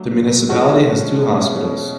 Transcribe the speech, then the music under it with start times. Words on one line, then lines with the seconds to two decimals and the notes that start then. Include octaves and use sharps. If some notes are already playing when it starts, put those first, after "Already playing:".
The municipality has two hospitals.
Already playing: F#3 A3 D4
0.49 F3 G#3 C#4 F#4
1.32 B2 G#3 C#4 E4